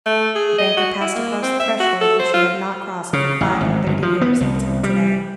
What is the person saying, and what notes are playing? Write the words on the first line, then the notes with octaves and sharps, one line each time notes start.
The banker passed across the threshold, which he had not crossed for five-and-thirty years until to-day.
A3
G#4
D#5
F#4
E4
A#3
C4
E5
F#4
A4
C5
F4
C#3
A1
G#1
G1
F3
B3
C2
G3